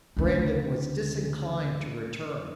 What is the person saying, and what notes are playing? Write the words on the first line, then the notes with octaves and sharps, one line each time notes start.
Brandon was disinclined to return.
D2 C#3